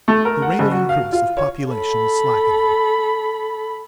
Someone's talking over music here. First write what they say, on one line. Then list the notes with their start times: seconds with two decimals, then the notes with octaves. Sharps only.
The rate of increase of population is slackening.
0.08 A3
0.25 A#4
0.42 F#5
0.59 F#1
0.71 F#4
0.89 F5
1.12 F4
1.37 C#5
1.72 A4 B5